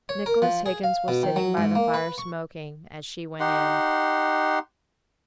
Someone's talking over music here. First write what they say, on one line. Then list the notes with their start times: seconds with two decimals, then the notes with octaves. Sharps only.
Nicholas Higgins was sitting by the fire smoking, as she went in.
0.09 C#5
0.26 A#4
0.42 F3
0.66 G#4
0.84 F5
1.08 B2
1.23 D#3
1.36 F#3
1.57 G#2
1.75 A#3
1.94 B4
2.18 C#6
3.40 D#4 G4 F#5 C6